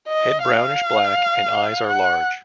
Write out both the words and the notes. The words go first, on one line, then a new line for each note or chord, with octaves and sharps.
Head brownish black and eyes are large.
D#5
F5
F#5